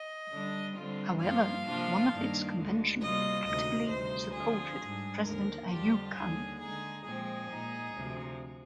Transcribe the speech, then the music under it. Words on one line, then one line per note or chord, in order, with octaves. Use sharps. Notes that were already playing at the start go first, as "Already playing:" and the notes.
However, one of its convention actively supported President Ayub Khan.
Already playing: D#5
D3 G3 D4
D3 G3 C4 F4
G2 F3 A#3 F4 F5
C3 F3 A#3 D4 F4
G2 D#3 A#3 D4
D2 D3 G#3
C3 G3 A#3 F4 D#5
D2 C3 D#3 G#3 D#5
D2 C3 G3 C5
D3 F3 C4 F4 G#4
G#2 G3 D4
D#2 D3 F3 A#4
F2 D3 G3 D4 F4 G4
D#2 D3 G3 G#4
D3 G#3 D#4 G#4
A#2 F3 G#3 C4 G#4
A#2 G#3 D#4
D2 C3 F3